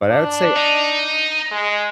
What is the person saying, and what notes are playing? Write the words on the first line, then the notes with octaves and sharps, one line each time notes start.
But I would say
D4
D#4
G#3